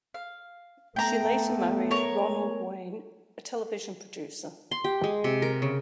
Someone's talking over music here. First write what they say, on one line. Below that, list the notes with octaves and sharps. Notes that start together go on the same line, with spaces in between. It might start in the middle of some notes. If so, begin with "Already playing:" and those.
She later married Ronald Wayne, a television producer.
F5
A3 B3 G5 A#5
A#4 C#5
C6
G4
G#3
C3
A#4
C#3